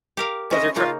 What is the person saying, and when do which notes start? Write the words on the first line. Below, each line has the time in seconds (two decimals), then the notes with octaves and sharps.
'Cause you're, tr
0.17 G4 A#4 F5
0.51 C#4 E4 C5 D#5
0.76 C#3 A#3 D#4 F4